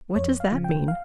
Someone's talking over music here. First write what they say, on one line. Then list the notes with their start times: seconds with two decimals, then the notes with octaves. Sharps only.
"What does that mean?"
0.16 F2 C#5
0.40 F5
0.52 C#3 F3
0.64 G5
0.88 F5